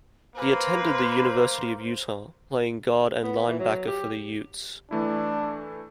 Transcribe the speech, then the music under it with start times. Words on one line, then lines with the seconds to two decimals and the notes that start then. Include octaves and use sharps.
He attended the University of Utah, playing guard and linebacker for the Utes.
0.36 A#3 B4 C5
3.23 B3
3.47 E3
3.59 F#3
3.87 G4
4.91 E3 A3 D4 E4